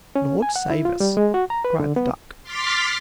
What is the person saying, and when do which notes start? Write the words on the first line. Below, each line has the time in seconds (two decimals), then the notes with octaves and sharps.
"Lord save us!" cried the duck.
0.16 C#4
0.42 G#5
0.56 F#5
0.70 E4
0.85 F4
1.00 G3
1.17 G#3
1.34 F#4
1.50 A#5
1.65 B4
1.80 D3
1.96 B3
2.43 C6 D6 F6 A6 B6